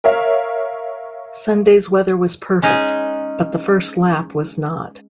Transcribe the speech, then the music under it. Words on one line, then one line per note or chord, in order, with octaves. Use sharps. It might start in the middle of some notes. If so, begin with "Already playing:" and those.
Sunday's weather was perfect, but the first lap was not.
A#4 C#5 E5 F5
G#3 C#4 D#4 G#4